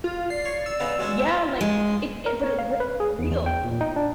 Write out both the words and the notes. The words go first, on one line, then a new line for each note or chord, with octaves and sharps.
Yeah, like it i but it looks real.
F4
D5 C7
C#5
E6
C#3 B3 D#4
F#3 G#3 C#4
G#3
A#4
C#5
F5
B4
G#4
E2
E2
G5
A#2
D#4
D4